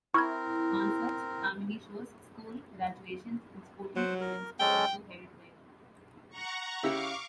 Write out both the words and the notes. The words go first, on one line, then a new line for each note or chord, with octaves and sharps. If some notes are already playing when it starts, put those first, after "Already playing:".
Concerts, family shows, school graduations, and sporting events are also held there.
C4 E4 A#4 C#6 F6 G#6
F#3 C5 F#5
A#4
G#3 C#4 A4 G5
F#5 A#5 C#6
C#3 E4 G4 F5 C#6 D6